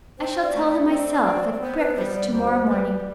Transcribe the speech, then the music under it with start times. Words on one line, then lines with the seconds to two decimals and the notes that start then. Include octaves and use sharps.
I shall tell him myself at breakfast to-morrow morning.
0.19 C4 C5
0.42 D5
0.54 A3
0.65 D5
0.89 C4 D5
1.24 C4
1.53 D5
1.61 B3 C5
1.78 B4
1.96 G3 C5
2.14 D5
2.31 D2 C5
2.67 G3 B4